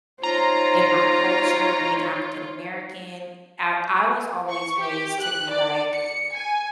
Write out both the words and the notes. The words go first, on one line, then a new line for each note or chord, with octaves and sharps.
in my culture, being African American, I I was always raised to be, like,
D#4 F4 C5 C#5 A#5
C#6
G4
F#6
D5
C#7
G#5